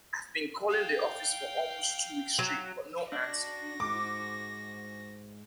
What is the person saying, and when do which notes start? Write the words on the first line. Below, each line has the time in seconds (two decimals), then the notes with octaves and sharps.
I've been calling the office for almost two weeks straight, but no answer.
0.69 F5 G5
2.39 F#3
3.12 D4 F#4 A#6
3.80 G#2 D6